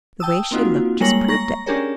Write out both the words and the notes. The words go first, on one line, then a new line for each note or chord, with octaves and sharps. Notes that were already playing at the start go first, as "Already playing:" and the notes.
The way she looked just proved it.
G5 A5 D#6 E6
A#3 C4 D#4 F4 F#4
G3 G#3 A#3 C#5 A#6 F#7
A#5 C#6 A#6
C#4 D4 G4 G#4 A#4 C#5